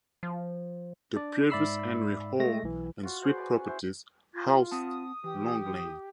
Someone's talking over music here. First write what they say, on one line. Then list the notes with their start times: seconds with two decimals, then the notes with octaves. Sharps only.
The previous Henry Hall and Sweet properties housed Long Lane.
0.23 F3
1.16 D4 D5
1.50 G#2 D5 E5 B5 E6 C7
2.39 G#3 A3 A#6
2.63 B1 E3
3.03 F4 F#4 C#5
3.22 G#4 C5 F#5
3.35 B4 D5 G#5
3.52 C#4 G#5
3.65 E4 C5 F#5 G#5
4.34 F4
4.71 C4 F#5 A5 D#6
5.24 E3 G4